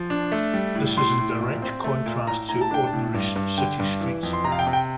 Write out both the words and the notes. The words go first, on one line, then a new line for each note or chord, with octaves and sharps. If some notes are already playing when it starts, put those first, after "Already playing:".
This is in direct contrast to ordinary city streets.
Already playing: F3
D4
A3
G3
A2
A2 C6
A2
A#2
C4
A3
A#2
A2 A#5
A2 A#5
A5
D4 G5
A5
A2
G2
G2
D3 G5
G2
E3
F2
C6
C3 A#5
F5
G5
C3
G5